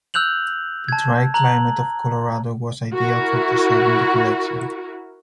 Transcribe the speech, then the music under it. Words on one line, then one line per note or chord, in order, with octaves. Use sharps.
The dry climate of Colorado was ideal for preserving the collections.
E6 F#6 G6 F7 F#7
A5 G#6
A#5 F#6 F#7
E4 F#4 A#4